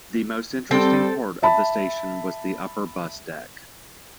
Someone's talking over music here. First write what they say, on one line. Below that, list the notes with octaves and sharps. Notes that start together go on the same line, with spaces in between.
The most interesting part of the station was the upper bus deck.
G3 C4 A4 G5
E5 A5 B5